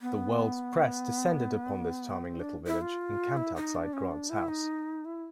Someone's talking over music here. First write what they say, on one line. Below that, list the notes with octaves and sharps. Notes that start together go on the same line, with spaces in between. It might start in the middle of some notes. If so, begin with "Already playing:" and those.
The world's press descended upon this charming little village and camped outside Grant's house.
B3
C4
D4
E4
F4
E4
D#4
D4
C#4
D4
E4
D#4
E4